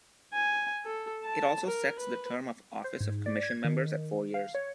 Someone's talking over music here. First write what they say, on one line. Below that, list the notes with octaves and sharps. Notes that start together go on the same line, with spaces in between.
It also sets the term of office of Commission members at four years.
G#5
A4
A5
A#4
B4
C5
G#2
D5
G#6
D#3
F5
C#5